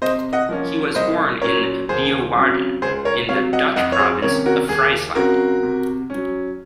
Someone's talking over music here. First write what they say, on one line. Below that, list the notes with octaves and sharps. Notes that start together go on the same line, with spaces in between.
He was born in Leeuwarden, in the Dutch province of Friesland.
C3 C5 D#5
D#5 F#5
F3 A#3 C#4
C2 C5 D#5
A#2 F#3 C#4 A#4 C#5
D#2 G#4 C5
C#3 F#3 C4
C#2 G#4 C5
A#4 C#5
C3 F#3 C#5 F5
D#5 F#5
F2 D#5 F#5
C#5
G#4 C5
C3 D#3 A#3 C#4 A#4 C#5
F#4 A#4
D#2 G#4
C#3 F#3 C4 F#4 A#4
C3
F#3 C#4